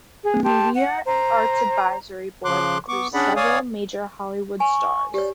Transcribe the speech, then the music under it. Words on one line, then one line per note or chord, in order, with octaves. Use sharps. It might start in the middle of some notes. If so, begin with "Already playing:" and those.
The Media and Arts Advisory Board includes several major Hollywood stars.
G#4
G4 A5 C6
F#5
C5 A#5
C#3 F3 C6 D6 F#6
B3 C#6 D6
C#4 D4 G#4 D5 F#5 B5
C#5 D5 F5 G#5 D#6
G#5 C#6
G4 C#5 D5